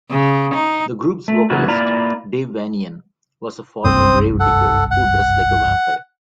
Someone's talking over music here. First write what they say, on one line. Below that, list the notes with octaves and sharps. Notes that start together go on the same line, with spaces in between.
The group's vocalist, Dave Vanian, was a former gravedigger who dressed like a vampire.
C#3
D#4
A3
C#3 E3 F#3 A#3 F4 F#4
A#3 E4 F4 D5 A#5
F#1 C2 G2 C4 C5 D#6
A4 F#5
F#5